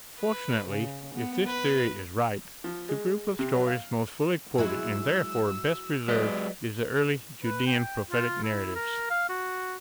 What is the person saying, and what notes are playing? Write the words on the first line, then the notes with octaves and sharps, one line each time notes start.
Fortunately, if this theory is right, the group of stories most fully quoted and therefore best preserved is the early Judean prophetic narratives.
B4
C#3
B3
B4
F3
G#3
C3
F#3
F5
F#3 G#3 E4 E6
F#3 G#3 B4 D5 D#5
B4
G5
F4
E4
A#4
F5
F#4